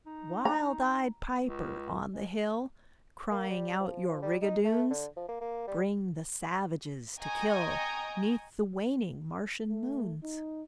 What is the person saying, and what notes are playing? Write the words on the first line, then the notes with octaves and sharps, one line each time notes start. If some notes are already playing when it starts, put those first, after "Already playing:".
"Wild-eyed Piper on the hill, Crying out your rigadoons, Bring the savages to kill 'Neath the waning Martian moons!"
D#4
A#5
C#2
G#3
A#3
G3
F3
G3
D#4
A3
D3
F3
A#3
A#3
G3
D#5 G5 G#5 A#5 C#6 D#6
A3
D#4